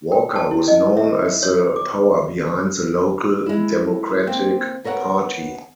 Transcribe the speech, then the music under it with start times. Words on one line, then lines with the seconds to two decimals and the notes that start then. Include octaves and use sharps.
Walker was known as the power behind the local Democratic Party.
0.12 G5
0.36 A5
0.51 E4
0.68 D#5
0.97 E5
1.43 C#5
1.76 D6
3.46 G#3 E4
4.27 A#3 C4
4.84 B3 A#4 C#5 E5 F#5